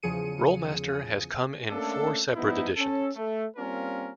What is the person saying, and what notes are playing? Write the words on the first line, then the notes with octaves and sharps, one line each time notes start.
Rolemaster has come in four separate editions.
E2 C#3 F3 G#4 C#7 D#7
A3 A#3 C#4 D4 A4
F3 G3 B3 D#4 E4
C#4 A4
A3
G3 A#3 C4 C#4 F4 A#4